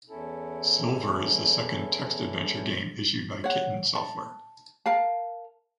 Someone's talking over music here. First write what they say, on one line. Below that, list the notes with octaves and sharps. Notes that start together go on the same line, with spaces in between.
Silver is the second text adventure game issued by Kitten Software.
E2 C#4 E4 A4
C#5 F#5
A5
A#4 F5 A5